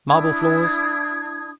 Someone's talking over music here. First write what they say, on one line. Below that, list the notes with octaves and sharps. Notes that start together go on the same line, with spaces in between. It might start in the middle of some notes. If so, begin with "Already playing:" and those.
Marble floors.
D4 E4 D#6 G#6